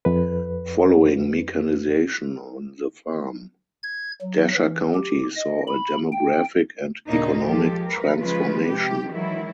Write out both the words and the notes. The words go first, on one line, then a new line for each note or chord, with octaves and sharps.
Following mechanization on the farm, Desha County saw a demographic and economic transformation.
F2 B4
G#6
F#3
E3
G4
D#5
B5
G5
D#2 A#2 C#3 A#3 D4 D#4
F3 G#3 G4 A4
A#4 B4
C#3 F3 G#3 F4 B4
C3 G4
D#3 E3 F#3 G#3 E4